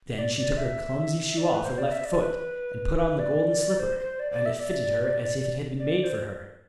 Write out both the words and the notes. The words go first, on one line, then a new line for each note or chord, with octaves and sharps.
Then she took her clumsy shoe off her left foot, and put on the golden slipper; and it fitted her as if it had been made for her.
D5
D5
E5
D5
B4
C5
D5
E5
D5
B4
B4
D5
C5
C5
D5
D5
E5
D5
D5
D5
C5